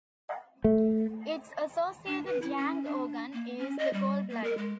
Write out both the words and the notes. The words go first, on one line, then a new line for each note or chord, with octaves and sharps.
Its associated yang organ is the Gallbladder.
A3
D4
B4
E4
C#4
D4
A#3
C#4
D#5
G3
A#3
A#4
G#3